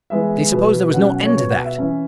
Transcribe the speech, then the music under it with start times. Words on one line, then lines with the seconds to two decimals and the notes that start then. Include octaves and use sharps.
They supposed there was no end to that.
0.10 E3 G#3 B3 E5
0.52 B2 F#3 B3
0.94 B2 F#3 C#4 F#5
1.04 F#5
1.15 F#5
1.25 C#5
1.36 B2 B3 C#5
1.50 F#5
1.65 E5
1.79 E3 C#4